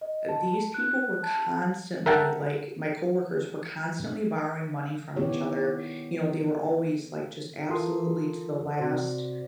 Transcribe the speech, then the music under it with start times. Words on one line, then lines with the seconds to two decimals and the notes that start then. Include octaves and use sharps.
uh, these people were constantly like, my coworkers were constantly borrowing money from each other. You know, they were always, like, just absolutely to the last,
0.01 D#5
0.29 A5
0.74 F#6
1.23 A5
2.06 A#4 E5 F#5 G5 A5
5.16 D#3 B3 E4 G4 C#5
7.70 E3 F4 A4 A#4 C6 D#6
8.77 C3 F#4 C5 D5